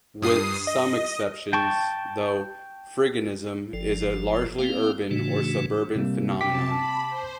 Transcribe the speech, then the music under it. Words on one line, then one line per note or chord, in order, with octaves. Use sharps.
With some exceptions, though, freeganism is a largely urban or suburban phenomenon.
G2 D#6 C7
D#5
G5 A5 C#6
G1 F3 A4
A#3 C4 F5 G5
A2 C#3 E3 A3 D4 F#4
C3 G3 A#3
C3 G5 A5 D6 B6
A5 B5
C5